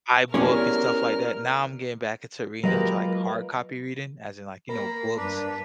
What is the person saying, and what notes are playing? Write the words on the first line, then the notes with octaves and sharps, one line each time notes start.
iBook and stuff like that, now I'm getting back into reading into, like, hard copy reading, as in, like, you know, books
B3 C#4 E4 G4 G#4 A#4 D5 F6
F#3 G#3 A#3 F4 G4 A#4 B4 D#5
A#3 A#4 A#5 B5
G2 D4 B4